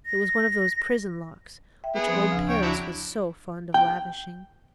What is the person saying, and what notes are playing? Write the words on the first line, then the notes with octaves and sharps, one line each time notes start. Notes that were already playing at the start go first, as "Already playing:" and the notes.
It was one of those prison locks which old Paris was so fond of lavishing.
A#6
E5 G5
B3 G#4
F3 C4
D2 C#3 D4
C#5 G5
F#3 D4 E4
G5